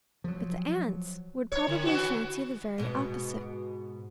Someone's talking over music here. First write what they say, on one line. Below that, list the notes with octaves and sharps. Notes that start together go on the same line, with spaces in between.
But the ants would probably fancy the very opposite.
F3 F#3
C#5
D3
E3 B3 F#4
G#2 B2